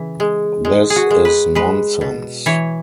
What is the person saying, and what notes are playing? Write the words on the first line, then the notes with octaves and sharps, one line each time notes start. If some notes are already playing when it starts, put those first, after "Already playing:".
This is nonsense.
Already playing: C#3 E3
G#3
G#3
G#4
F#4
G#3
B4
G#3 B4
B2
E3 C#5